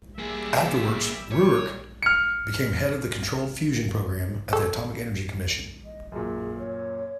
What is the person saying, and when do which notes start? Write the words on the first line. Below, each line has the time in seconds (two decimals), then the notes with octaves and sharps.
Afterwards, Ruark became head of the controlled fusion program at the Atomic Energy Commission.
0.19 G3 A#3 G#4 E5
1.32 G3 C#5
2.03 F6 C#7
4.53 A4
5.84 D#5
6.12 F#2 A#2 G#4
6.58 C#5